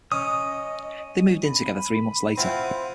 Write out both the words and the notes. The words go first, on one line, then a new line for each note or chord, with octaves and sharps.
They moved in together three months later.
C#4 D#5 D#6
B5
C4 E4 F4 F#5